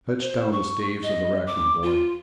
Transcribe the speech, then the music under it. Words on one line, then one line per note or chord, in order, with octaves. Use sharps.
Fetch down the staves of the rack, my boy.
C5
C#6
D#5
D6
F4